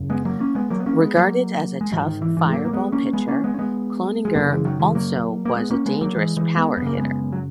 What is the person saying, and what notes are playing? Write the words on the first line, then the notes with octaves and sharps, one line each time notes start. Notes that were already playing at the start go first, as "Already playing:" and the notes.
Regarded as a tough fireball pitcher, Cloninger also was a dangerous power hitter.
Already playing: F#2 C#3
G#3 B3
F#3 A#3
A#3 C#4
G#3 B3
F#3 A#3
B3
A#3 C#4
G#3 B3
F#3 A#3
G#3
G#2 D#3 F#3
E3
D#3
E3
E3
G#3
F#3 A#3
A#3
G#3 B3
A#3 C#4
G#3 B3
A#3 C#4
G#3 B3
C#4
G#3 B3
G#3
F#2 C#3 F#3 A#3
E3 G#3
D#3 F#3
E3 G#3
F#3 A#3
A#3
G#3 B3
A#3 C#4
G#3 B3
F#3 A#3
E3 G#3
E3 G#3
G#3 B3
F#2 B3
C#3 A#3
G#3 B3
F#3